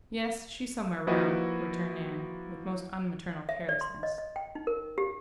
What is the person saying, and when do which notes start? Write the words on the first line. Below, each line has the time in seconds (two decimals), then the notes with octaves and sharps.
"Yes, she's somewhere round," returned Nan, with most unmaternal carelessness.
1.07 F3 A#3 E4 F#4 B4 D#5
3.49 E5
3.69 D5
3.81 C6
4.03 D#5
4.18 D#5
4.36 G5
4.55 D#4
4.67 A#4
4.98 G4